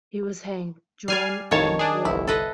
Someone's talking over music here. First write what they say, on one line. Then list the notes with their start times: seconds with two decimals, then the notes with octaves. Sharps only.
He was hanged, drawn and quartered.
1.08 G3 D5 G#5 F6 C7
1.51 A1 F2 D#3 C#5 A5
1.79 D4 G#4
2.05 G1 C2 E4
2.27 A4 B4 D#5